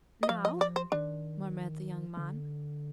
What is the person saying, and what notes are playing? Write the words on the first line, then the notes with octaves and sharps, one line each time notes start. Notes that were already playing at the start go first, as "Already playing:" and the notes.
"Now," murmured the young man.
D#5
F3 F5
D#5
D5
C5
D#3 D4
D3